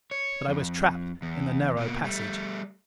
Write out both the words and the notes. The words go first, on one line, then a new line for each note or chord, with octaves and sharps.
But I was trapped in the narrow passage.
C#5
F2
E2
B2 A#3
G3 A3